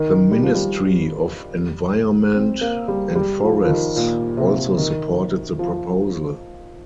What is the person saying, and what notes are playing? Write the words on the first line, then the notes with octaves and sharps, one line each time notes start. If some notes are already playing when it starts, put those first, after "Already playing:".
The Ministry of Environment and Forests also supported the proposal.
Already playing: D#3
G3
F3
G3
C4
A#3
G3
G3
F3
F3
D#3
A#2
C3
D#3
F3